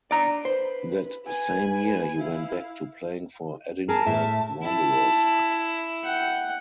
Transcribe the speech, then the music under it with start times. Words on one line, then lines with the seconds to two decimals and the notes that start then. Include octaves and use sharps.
That same year he went back to playing for Edinburgh Wanderers.
0.11 D4 D5 A#5
0.45 B4 C5
1.26 B4 G#5
2.18 E4 F5
3.89 G#4 A#4 A5
4.06 A2 E5
4.64 E4 A5
6.04 F#5 G5